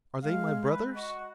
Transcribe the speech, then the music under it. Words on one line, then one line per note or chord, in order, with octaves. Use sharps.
"Are they my brothers?"
G#3 F5
B4
F#4 D#5